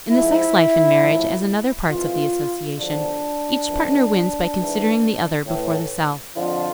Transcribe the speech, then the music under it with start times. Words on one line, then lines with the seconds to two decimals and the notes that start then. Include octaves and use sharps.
In the sex life in marriage, as in other parts of the association, each partner wins by considering the other before the self.
0.11 G#2 F3 E4
1.00 A2 F3
1.90 F2 E3 F4
2.78 E2 D3 F3 D4
3.68 F2 E3
4.57 G#2 E3
5.46 A2 E3
6.36 F2 D3 F3 F4